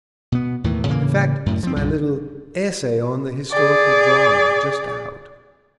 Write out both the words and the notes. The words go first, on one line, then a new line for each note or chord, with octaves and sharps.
In fact, it's my little "Essay on the Historical Drama," just out.'
B2 B3
D#2 A2 D#3 E3
A2 C#3 E3 A#3
F#2 A2
F3 C4
C2 G2 A#2
G#4 D5